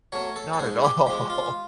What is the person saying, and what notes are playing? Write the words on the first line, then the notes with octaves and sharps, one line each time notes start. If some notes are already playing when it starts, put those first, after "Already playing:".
not at all.
F#3 A3 C#4 C#5
A4
A4
G#2 G#4
G4
F3 G#3 G4
F4